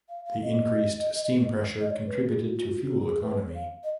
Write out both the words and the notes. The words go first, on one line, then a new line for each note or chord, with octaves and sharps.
The increased steam pressure contributed to fuel economy.
F5
F5
D#5
D#5
C#5
B4
G#4
F#4
F4
F#4
F4
F#4
G#4
B4
C#5
F5
D#5